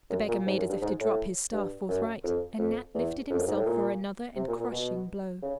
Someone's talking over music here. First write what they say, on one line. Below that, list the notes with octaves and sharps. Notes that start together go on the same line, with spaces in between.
The beggar made as if to drop his staff forthright, and Nat lifted himself for another and crushing blow.
F#2
A#2
G#2
F#2
G2
G#2
A2
G2
F#2
F2
F2
E2
F2
F#2
G#2
A2
A#2
C3
A#2
A#2
B2
C#3